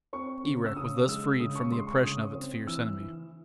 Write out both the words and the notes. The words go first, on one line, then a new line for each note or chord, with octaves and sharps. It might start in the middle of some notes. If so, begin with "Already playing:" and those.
Erech was thus freed from the oppression of its fierce enemy.
C4 C#6
C#3
E6
C#3 D#6
G#3 E6
C#3 D#6
C#6
G#3 C6
C#6
C#3 D#6
C4
E3 E6
E3